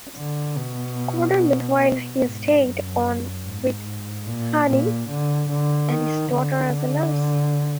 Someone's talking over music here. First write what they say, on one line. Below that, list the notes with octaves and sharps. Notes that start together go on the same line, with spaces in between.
Corder, meanwhile, has stayed on with Honey and his daughter as a nurse.
D3
B2
G#2
F#2
G#2
A#2
A#2
D3
D3
D#3
D3